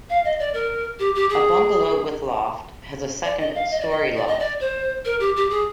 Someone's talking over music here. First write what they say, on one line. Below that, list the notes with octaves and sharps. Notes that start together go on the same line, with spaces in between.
A bungalow with loft has a second-storey loft.
F5
D#5
D5
A#4
G4
G4
G#4
D5
D#5
F5
D#5
D5
D#5
D5
D#5
D5
C5
A#4
G4
G4
G#4